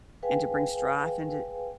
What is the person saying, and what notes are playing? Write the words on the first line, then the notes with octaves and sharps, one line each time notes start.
and to bring strife into
G#4 B4 F5 G5 G#5